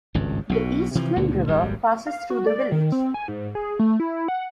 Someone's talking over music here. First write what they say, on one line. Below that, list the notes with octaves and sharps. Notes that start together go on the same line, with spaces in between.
The East Twin River passes through the village.
G#1 C#2 G2
B1 B2
C3 E3 F3
C#2 A#2 D3
D#1 G#1 F#2 G3
F5
F#4
D5
D#3
C4
G#5
G#2
G#4
A3
E4
F#5